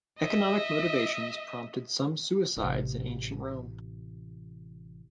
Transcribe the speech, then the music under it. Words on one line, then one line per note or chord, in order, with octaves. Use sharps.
Economic motivations prompted some suicides in ancient Rome.
D#5 E5
A1 C3